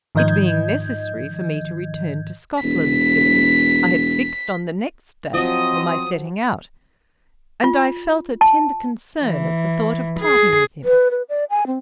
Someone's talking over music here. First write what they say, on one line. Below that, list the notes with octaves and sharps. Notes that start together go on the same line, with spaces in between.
It being necessary for me to return to Scotland soon, I had fixed on the next day for my setting out, and I felt a tender concern at the thought of parting with him.
G#2 D#3 F3 D#5 G6 G#6
E1 B6
F3 F#3 C4 D#5 D#6
F4
A5
E3
G#4
B4
B4
D5
G#5
C4